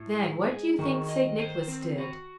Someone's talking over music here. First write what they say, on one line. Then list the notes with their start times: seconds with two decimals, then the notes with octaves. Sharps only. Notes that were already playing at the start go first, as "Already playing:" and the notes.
Then what do you think St. Nicholas did?
Already playing: A2
0.19 G#3
0.49 G#4
0.79 D#3 F#4
1.09 D#5
1.38 C5
1.68 C4
1.98 F#4